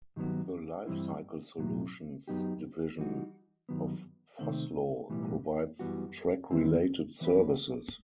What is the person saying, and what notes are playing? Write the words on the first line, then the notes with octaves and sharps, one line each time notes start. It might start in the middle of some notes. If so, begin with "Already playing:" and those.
The Lifecycle Solutions division of Vossloh provides track related services.
G2 D#3 F#3 B3 F#4
G2 E3 G3 C4 E4
B1 A2 F#3
F#2 F#3 B3 D#4 G4
E3 G3 D#4 F#4
G2 D#3 F#3 B3
C3 D#3 A3 C4
B1 A2 E3 G3 B3
F#2 E3 G3 B3 F#4
D#2 D#3 G3 C4 E4
E3 B3 E4 B4